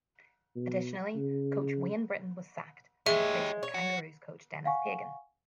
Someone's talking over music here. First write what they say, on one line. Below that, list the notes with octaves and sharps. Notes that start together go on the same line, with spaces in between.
Additionally, coach Wayne Brittain was sacked, and replaced with Kangaroos coach Denis Pagan.
B2
C#3
G#3 G4 C#5 E5
C#5
F#4
F5 F#5 G#5 C#6